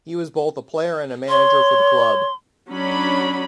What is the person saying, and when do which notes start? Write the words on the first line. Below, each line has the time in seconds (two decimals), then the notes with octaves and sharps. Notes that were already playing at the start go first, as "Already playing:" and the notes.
He was both a player and a manager for the club.
1.29 C#5 C6
2.71 F#3 C#4 D4 B5